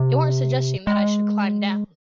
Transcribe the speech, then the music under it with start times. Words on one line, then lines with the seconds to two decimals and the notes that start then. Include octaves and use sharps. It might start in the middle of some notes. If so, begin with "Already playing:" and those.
You aren't suggesting that I should climb down?
Already playing: C3
0.87 G#3